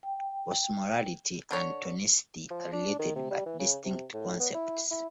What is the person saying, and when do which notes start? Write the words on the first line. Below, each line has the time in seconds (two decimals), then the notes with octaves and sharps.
Osmolarity and tonicity are related but distinct concepts.
0.03 G5
1.51 D3 C#5
2.50 F3
2.72 D4
2.99 D#3
3.15 C3
3.31 G3
3.46 E3
3.59 C#3
3.85 C3
4.14 A2
4.40 B3
4.54 E4
4.91 E4